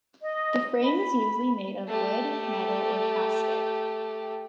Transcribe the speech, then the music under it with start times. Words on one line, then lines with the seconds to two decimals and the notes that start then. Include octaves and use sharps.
The frame is usually made of wood, metal or plastic.
0.22 D#5
0.83 B5
1.87 A3 G4